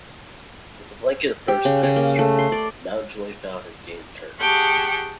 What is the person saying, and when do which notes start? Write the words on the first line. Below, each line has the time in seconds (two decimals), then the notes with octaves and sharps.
With a blanket approach to every stroke, Mountjoy found his game returning.
1.48 G4
1.65 C#3
1.83 C#3
1.96 A#3
2.19 A3
2.38 C6
2.52 D5
4.40 G4 G#4 F#5 G5 A5 C#6